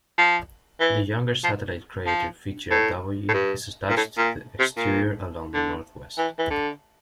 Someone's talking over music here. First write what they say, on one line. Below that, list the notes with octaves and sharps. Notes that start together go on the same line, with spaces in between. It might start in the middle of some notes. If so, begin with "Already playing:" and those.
The younger satellite crater FitzGerald W is attached to the exterior along the northwest.
F3
E3
F3
F3
A2
A2
G2
A#2
A2
A#2
C3
A#2
D3
E3
E3
D3